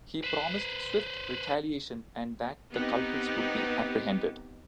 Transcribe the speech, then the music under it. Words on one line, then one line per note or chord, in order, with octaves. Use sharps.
He promised swift retaliation and that the culprits would be apprehended.
B4 C5
B3 C4 D#4 G4